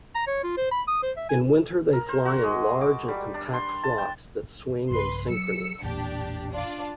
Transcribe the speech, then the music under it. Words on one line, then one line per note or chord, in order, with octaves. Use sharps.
In winter they fly in large and compact flocks that swing in synchrony.
A#5
C#5
F4
C5
B5
D#6
C5
E5
G#5
A#4
C5
F#4
G#3
D6
G3
D4
C6
A5
G5
B1 G2 C#3 B4 C6
F#3 E6 C#7
A1 E2 A#2 D4 G4
D4 F4 D5